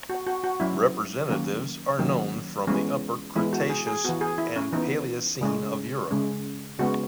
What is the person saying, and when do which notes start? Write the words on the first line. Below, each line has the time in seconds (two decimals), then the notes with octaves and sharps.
Representatives are known from the upper Cretaceous and the Paleocene of Europe.
0.09 F#4
0.27 F#4
0.44 F#4
0.60 F#3 C#4 E4
1.29 D#3 F#3 A#3 C#4
1.98 D#3 F#3 A#3 C#4
2.67 E3 G#3 B3 C#4
3.36 E3 G#3 B3 E4
3.53 F#4
3.69 G#4
3.87 G#4
4.05 E3 B3 F#4
4.21 G#4
4.38 E4
4.56 C#4
4.73 E3 B3 D#4
5.41 C#3 G#3 C#4
6.11 C#3 G#3 C#4
6.79 C#3 G#3 B3 F#4